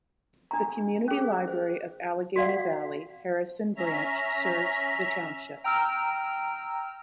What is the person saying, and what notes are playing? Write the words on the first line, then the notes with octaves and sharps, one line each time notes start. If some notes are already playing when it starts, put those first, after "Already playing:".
The Community Library of Allegheny Valley, Harrison Branch serves the township.
D4 A#5
C#4 G#4
C5
F#4 D5 F5 F#5
C#4 E5 A#5
G5 A#5 E6 F6 D7